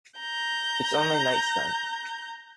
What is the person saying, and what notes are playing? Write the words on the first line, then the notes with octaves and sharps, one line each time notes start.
It's on my nightstand.
A#5 G6